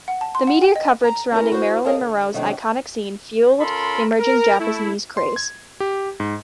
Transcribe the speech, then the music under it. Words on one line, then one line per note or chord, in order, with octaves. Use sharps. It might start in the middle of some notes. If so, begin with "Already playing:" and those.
The media coverage surrounding Marilyn Monroe's iconic scene fueled the emerging Japanese craze.
F#5
A5
C6
F#5
G5
D#5
A#5
C#4 E4 A#4
F#4 C5
G#4 A#4 C#5 D#5 F5 A5
D3
C3 D#3 F#3 A3 D4
C#4 F4 A4 A#4 B5 C6
A#4
A3 E4
C6
G#6
G4
G#2